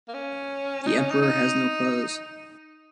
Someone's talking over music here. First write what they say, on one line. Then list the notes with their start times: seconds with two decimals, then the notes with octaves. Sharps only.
The emperor has no clothes.
0.08 A#3
0.14 C#4
0.82 C#4
0.87 D#4
0.98 C#4
1.11 D#4
1.22 D#4